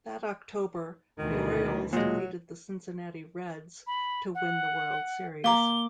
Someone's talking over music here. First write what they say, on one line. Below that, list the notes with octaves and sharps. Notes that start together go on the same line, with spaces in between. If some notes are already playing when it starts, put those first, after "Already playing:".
That October, the Orioles defeated the Cincinnati Reds to win the World Series.
D2 B2 D#3 E3
A#2 F#3 G#3
B5
F#5
A#3 F5 A#5 D6 G7